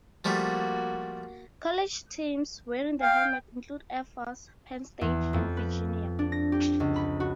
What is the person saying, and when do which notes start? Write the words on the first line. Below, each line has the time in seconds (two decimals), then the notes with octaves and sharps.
College teams wearing the helmet include Air Force, Penn State, and Virginia.
0.25 F3 G3 A3 A#3 F#4
3.02 F5 G5
5.01 E2
5.33 F2
5.57 B4
6.19 D4
6.32 A#6
6.52 G4
6.80 C#2
6.96 B5
7.20 F#4